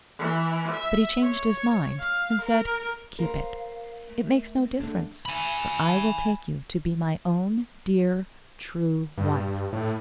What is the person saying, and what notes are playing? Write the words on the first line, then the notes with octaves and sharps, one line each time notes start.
But he changed his mind, and said, 'Keep it; it makes no difference, for I will take you to be my own dear true wife.'
E3
E5
C#5
F5
A#4
A#4 C5 F5
A3
C4
D3 A3 D4
G#5 B5
G2
A2